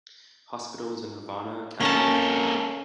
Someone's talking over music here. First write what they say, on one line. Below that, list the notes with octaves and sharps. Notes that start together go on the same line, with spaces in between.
Hospitals in Havana, capital of Cuba.
A#3 C#4 A4 A#4 A5